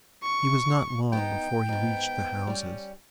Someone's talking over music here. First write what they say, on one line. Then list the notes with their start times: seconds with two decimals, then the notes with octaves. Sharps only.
He was not long before he reached the houses.
0.24 C#6
1.13 B3 D#4 G5
1.69 G#2 B3
2.47 G3 C#4